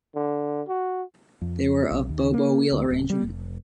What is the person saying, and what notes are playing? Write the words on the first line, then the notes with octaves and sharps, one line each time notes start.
They were of Bo-Bo wheel arrangement.
D3
F#4
F2
B1
D#2
A#3
D2
D1
G3
F1